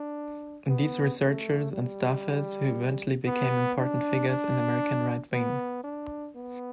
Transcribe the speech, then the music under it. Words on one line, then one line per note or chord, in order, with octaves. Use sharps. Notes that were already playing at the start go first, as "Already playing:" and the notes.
These researchers and staffers who eventually became important figures in American right-wing.
Already playing: D4
B3
A3
G3
B3
D4
D4
B3
D4
B3